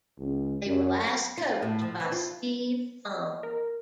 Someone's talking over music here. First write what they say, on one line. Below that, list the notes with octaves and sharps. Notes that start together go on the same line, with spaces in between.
They were last coached by Steve Thonn.
C#2
F#2
F4
A2
F3
E3
F4
D#5
A#4